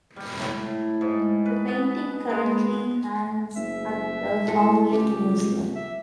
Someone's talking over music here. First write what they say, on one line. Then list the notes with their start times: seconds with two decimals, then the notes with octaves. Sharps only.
The painting currently hangs at the Foundling Museum.
0.16 G3
0.39 A2
1.01 G#2
1.46 B4
1.68 B3
2.30 G#3
3.56 F#1 E5
4.48 A2 G#3 A4
4.92 C#2 G4
5.75 E5